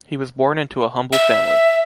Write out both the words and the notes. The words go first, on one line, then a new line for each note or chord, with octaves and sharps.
He was born into a humble family.
E5